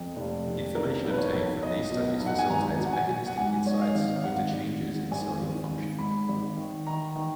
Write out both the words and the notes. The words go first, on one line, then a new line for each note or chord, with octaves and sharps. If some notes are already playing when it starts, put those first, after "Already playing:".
Information obtained from these studies facilitates mechanistic insights into changes in cellular function.
Already playing: F2
F1
F1
B1 A#4
B1 B4
C#5
B1
B1 D#5
B2
B1
F#5
G#5
G#1 A#5
F#3
F#5
G#5
F#3
F#5
G#2 G#5
G#2 C#5
D#5
F5
G#1
F5
G#1 F#5
G#1
G#1
G#1 G#5
G#1
G#1
G#2 B5
G#1
D#3
D#3 A#5
D#3